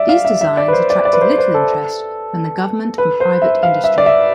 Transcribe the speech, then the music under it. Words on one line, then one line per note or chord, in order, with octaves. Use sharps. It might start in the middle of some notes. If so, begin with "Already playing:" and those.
These designs attracted little interest from the government and private industry.
Already playing: D5 E5
F5
E5
E5
D5
B4
C5
D5
D5
B4
C5
C5
A4
B4
C5
E5
F5
E5
D5
E5